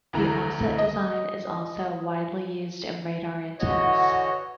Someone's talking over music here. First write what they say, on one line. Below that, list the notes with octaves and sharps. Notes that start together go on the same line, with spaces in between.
The offset design is also widely used in radar antennas.
D2 E3 A#5
D#5
D3 E3 F#4 C#5 D#5